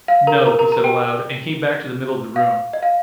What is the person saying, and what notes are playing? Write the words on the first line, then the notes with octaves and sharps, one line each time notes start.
"No," he said aloud, and came back to the middle of the room.
F5
A#4 A#5
A#4 A#5
A#4 A#5
A#4 A#5
G4 G5
F5
D#5
F5